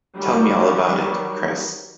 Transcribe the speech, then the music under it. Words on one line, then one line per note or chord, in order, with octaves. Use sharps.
Tell me all about it, Kris.
D#3 F#3 G3